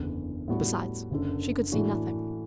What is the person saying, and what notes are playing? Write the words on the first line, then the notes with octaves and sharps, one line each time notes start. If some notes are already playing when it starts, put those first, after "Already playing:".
Besides, she could see nothing.
Already playing: F#1 E2 D3
A2 G3 B3 D4 F#4
F#1 F#2 D3
A2 E3 A3 D4 F#4